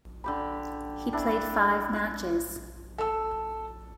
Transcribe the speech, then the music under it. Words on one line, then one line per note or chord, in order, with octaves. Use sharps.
He played five matches.
D3 G4 B5
D4 E4 B5
A4 E6